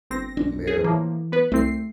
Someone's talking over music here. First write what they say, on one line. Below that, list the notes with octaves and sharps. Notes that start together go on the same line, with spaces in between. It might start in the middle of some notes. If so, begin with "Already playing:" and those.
M Yeah.
G1 C4 A#6
B1 C#4 D4
G#4
A2 E3 F3 A#3
B3 B4
C2 A3 C4 C7